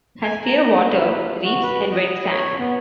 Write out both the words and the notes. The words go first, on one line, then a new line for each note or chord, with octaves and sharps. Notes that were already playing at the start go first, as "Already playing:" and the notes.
Has clear water, reefs and wet sand.
G#5
A#5
B4
F#4
B4
D#5
C#5
B3